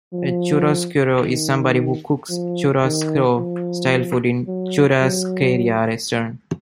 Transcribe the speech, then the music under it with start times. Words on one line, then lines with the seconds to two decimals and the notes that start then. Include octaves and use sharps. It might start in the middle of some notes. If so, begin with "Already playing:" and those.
A "churrasqueiro" is somebody who cooks "churrasco" style food in a "churrascaria" restaurant.
0.13 F3
1.21 D#3
2.29 F3
2.84 D#3
3.38 F3
4.47 F#3
5.01 F#3